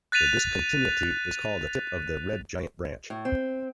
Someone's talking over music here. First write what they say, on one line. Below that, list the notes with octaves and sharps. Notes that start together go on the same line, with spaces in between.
This discontinuity is called the tip of the red-giant branch.
F#6 A6 B6 D#7 F7
A2
C4